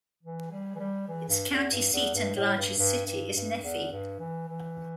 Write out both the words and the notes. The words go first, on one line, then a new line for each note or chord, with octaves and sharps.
Its county seat and largest city is Nephi.
E3
G3
E3
G3
E3
G2
E2
G2
E2
G2
A2
G2
G2
G2
G2
E2
G2
E3
E3